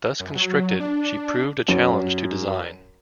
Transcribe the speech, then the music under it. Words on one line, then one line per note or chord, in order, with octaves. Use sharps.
Thus constricted, she proved a challenge to design.
F#2
F#3
D4
F#2